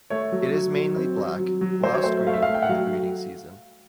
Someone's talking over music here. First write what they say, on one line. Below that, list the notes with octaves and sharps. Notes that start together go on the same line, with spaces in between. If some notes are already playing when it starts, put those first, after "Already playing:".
It is mainly black, glossed green, in the breeding season.
A3 C#5
F#3
F#3
F#3
C4
F#3
F#3
F#3
F#3 C5
C#5
A3 C5
A3 F5
E5
F5
A3
G5
F#5
F#3 F5